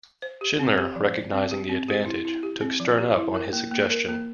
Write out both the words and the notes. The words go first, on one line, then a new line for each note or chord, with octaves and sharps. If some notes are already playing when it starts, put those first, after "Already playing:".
Schindler, recognising the advantage, took Stern up on his suggestion.
C5
G4
C4
G4
F3
C5
C4
G4
C4
G4
E4
E4
G4
C4
F3
G4
E4
A#4
A#3
A#3
A#4
A#3